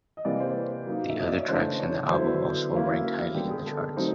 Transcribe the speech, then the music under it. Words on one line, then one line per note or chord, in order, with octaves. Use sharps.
The other tracks in the album also ranked highly in the charts.
D#5
C3 E3 G3 A#3 D5
C5
B4
F#3 A#3 D#4
E5
D#5
D5
C#5
C#3 E3 A3 D4 C5
C#5
D3 F#3 B3 E4 C5
B4
F#3 A#3 C#4 E4
A#4
D3 G3 B3 G4
G#4
A4
A#4
F#3 A3 C4 D#4 C5